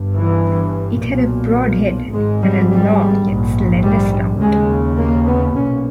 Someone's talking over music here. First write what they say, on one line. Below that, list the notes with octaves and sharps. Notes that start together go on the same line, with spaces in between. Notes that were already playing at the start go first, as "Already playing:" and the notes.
It had a broad head, and a long yet slender snout.
Already playing: G1 G2
E3
B1 A#2
G#1 G#2 G#3
G3
G3
A#1 G#2
G3
D#2 C#3 G#3
A#3
B3
B1 A#2 C#4